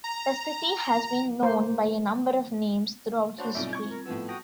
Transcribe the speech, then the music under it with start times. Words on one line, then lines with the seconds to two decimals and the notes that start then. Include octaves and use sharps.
The city has been known by a number of names throughout history.
0.04 A#5
1.43 A#3 C5
3.38 D4 F#4 C5 C#5 A5 B5
3.55 B1 G3 C4 F4 D5 E5 D6 G6
3.73 C#6 G#6
3.90 A#4
4.06 A2 F3 B3 E6
4.29 F#4 G5 A5 D#6 A#6